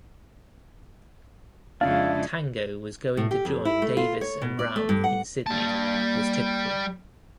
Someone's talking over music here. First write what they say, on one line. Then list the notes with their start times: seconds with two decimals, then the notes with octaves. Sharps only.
Tango was going to join Davis and Brown in Sydney was typical.
1.81 F2 C#3 G#3 D4 E4 F5
3.17 A2
3.31 G4
3.45 F2
3.65 E4
3.82 A3
3.97 F4
4.21 C#5
4.42 B2
4.59 D5
4.76 A3
4.89 G2
5.04 F#5
5.47 G3 A#3 A5